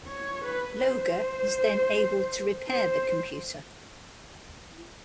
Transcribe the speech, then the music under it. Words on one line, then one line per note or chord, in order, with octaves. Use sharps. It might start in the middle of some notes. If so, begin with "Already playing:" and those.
Loga is then able to repair the computer.
C#5
B4
C5
C5